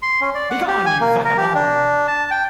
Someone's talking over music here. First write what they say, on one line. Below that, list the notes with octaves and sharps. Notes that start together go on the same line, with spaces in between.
Begone, you vagabond!
C6
C#4
D5
F#5
G4
G#5
A#3
A#4
G4
D4
A5
G5